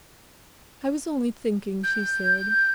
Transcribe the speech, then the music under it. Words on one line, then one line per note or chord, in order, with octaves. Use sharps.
"I was only thinking," she said.
G6